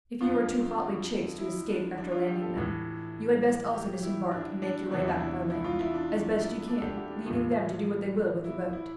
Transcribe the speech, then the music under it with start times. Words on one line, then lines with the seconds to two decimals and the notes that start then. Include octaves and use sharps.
If you are too hotly chased to escape, after landing them, you had best also disembark; and make your way back by land, as best you can, leaving them to do what they will with the boat.
0.21 F2 D3 F4
1.38 E4
1.67 D4
1.97 D4
2.12 F4
2.27 G4
2.41 A4
2.56 A2 E3
3.73 G4
4.03 E4
4.32 D4
4.62 D4
4.91 E2 C3 E3 D4
4.99 E4
5.08 D4
5.20 E4
5.50 E4
5.64 F4
5.79 E4
5.94 D4
6.68 D4
6.78 A4
6.82 G4
6.97 G4
7.11 D4
7.26 A2 E3 F4
8.44 E4
8.73 E4